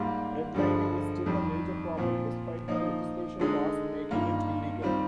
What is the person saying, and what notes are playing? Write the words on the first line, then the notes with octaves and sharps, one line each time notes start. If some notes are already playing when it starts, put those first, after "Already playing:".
Redlining is still a major problem despite the legislation passed making it illegal.
Already playing: G#2 G3 A#3 F4
G2 D3 F3 G#3
F2 D#3 G3
A#2 F3 C4
F3 A#3 D#4
D3 G#3 D#4
G2 D#3 A#3 F4
D#3 G3 C4 F4